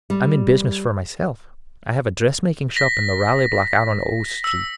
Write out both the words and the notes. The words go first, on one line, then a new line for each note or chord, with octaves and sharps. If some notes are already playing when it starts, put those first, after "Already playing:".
I'm in business for myself. I have a dressmaking shop in the Raleigh Block, out on O Street.
G3
A#6 B6
E6